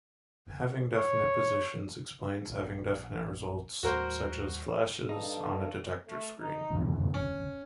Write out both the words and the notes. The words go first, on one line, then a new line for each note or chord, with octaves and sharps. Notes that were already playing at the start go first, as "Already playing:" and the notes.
Having definite positions explains having definite results such as flashes on a detector screen.
C#5
A#1
D#2 A2 G3 F#4 A#4 C5
G2 D#4 A4 F5
A3
D#4
C#4